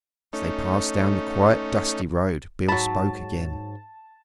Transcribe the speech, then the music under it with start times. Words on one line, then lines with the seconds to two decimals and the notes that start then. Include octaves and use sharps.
As they passed down the quiet, dusty road Beale spoke again.
0.33 A3 C#4 D#4
2.68 G#2 F#3 A5 B5